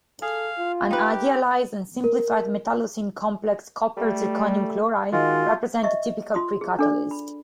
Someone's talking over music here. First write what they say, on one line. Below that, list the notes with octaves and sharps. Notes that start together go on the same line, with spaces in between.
An idealized and simplified metallocene complex CpZrCl represents a typical precatalyst.
G#4 A4 F5
F4
D#4 G4 B4
A#4
G3 A3
D#3 G#3 F4 F#4
D#5 E5 C#6
F4 C6 D#6
G#4
D4 A4 D5
B5